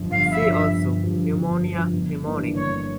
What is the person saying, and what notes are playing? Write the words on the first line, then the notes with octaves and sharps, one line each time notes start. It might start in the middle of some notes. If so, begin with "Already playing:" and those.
"See also:" Pneumonia, Pneumonic.
Already playing: G1 G2 F3
G1 F5
E5
G2 F3
E5
G1
G2 F3
G1
G2 F3
G1
G2 E3 A#3 D4
G1 C#5